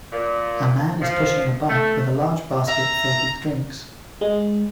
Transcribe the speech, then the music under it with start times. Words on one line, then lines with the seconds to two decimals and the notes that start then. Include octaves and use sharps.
A man is pushing a bike with a large basket filled with drinks.
0.12 A#2
1.01 F3
1.69 A3
2.68 E5 A#5
4.21 G#3